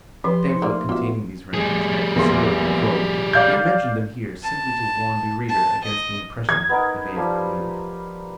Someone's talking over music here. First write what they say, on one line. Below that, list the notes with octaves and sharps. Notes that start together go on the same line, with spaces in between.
The pamphlet containing these renderings had a considerable vogue, and I mention them here simply to warn the reader against the impression they may have created.
F3 G4 B4 C6
D#4 C5
A3 A#3 D5
A#3 B3 F4 F#4 E5
G3 G#4
E2 A#3 C6
D5 F5 G6
A5
A5
D#5
G#6
B3 D#4 A#4
F3 G3